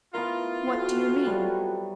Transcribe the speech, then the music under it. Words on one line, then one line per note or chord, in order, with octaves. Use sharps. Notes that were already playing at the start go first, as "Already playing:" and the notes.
"What do you mean?"
B3 E4 F4 A#4
F2 F#4
F#3 G3 B3